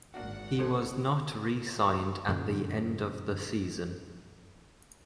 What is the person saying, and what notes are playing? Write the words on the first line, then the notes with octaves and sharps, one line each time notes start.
He was not re-signed at the end of the season.
G#1 A#3 D4 F#4 F#5
C#2 D#4 F#4 A4 C5 C6
F#2 A#2 D3